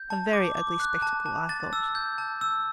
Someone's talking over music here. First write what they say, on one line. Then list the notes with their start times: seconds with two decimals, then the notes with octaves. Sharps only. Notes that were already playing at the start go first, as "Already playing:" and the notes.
A very ugly spectacle, I thought.
Already playing: G6
0.10 A5
0.33 D6
0.57 D6
0.80 F#6
1.02 A5
1.26 A5
1.49 A5 A6
1.73 E6
1.95 G6
2.18 A5
2.41 E6